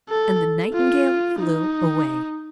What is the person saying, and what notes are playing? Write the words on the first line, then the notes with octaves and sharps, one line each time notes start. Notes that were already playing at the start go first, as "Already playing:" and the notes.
And the Nightingale flew away.
A4
F4
D#4